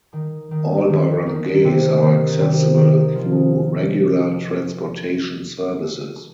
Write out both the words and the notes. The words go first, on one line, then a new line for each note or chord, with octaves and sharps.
All barangays are accessible through regular transportation services.
D#3
D#3
D#3
D#3
C3
D#3
C3
D#3
F3